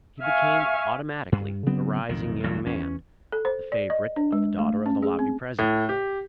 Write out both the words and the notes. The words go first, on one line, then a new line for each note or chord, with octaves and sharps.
He became automatically a rising young man, the favorite of the daughter of the Lobby president.
E5 F5 G#5 C#6
G2
C#3 F#3 B3 C4
B1 F2 D#3
C#2 G2 E3 F#3
E2 C#4
A4
C5
D5
D#5
D4
G#3
A3
C#4
G#4
C4
A2
G4